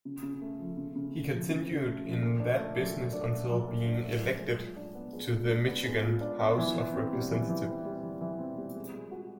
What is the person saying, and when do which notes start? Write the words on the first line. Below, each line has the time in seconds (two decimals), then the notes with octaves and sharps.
He continued in that business until being elected to the Michigan House of Representatives.
0.05 C#3
0.23 C#3
0.41 A3
0.59 F3
0.77 C#3
0.96 C#3
1.14 A3
1.31 F3
1.49 C#3
1.68 C#3
1.86 A3
2.05 F3
2.23 A#2
2.40 D4
2.58 A3
2.77 F#3
2.96 A#2
3.13 D4
3.31 A3
3.49 F#3
3.68 A#2
3.86 D4
4.03 A3
4.22 F#3
4.41 G#3
4.59 F4
4.76 D4
4.95 B3
5.13 G#3
5.31 F4
5.50 D4
5.67 B3
5.85 G#3
6.03 F4
6.21 D4
6.40 B3
6.58 E3
6.76 E3
6.94 C4
7.13 G3
7.31 E3
7.49 E3
7.67 C4
7.85 G3
8.03 E3
8.21 E3
8.39 C4
8.58 G3
8.76 G#3
8.94 G#3
9.11 F#4